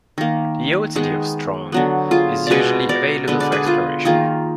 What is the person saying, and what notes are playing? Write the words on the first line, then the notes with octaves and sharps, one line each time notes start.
The old city of Strawn is usually available for exploration.
D#3 A#3
D#3 G#3 B3
D3 F#3 B3
F4 G#4
B2 G#3 B3 G#4 B4 D5
A#4 D5
D3 G#3 B3 B4
D5
G#4 B4
F4 G#4
D#3 A#3 F4 G#4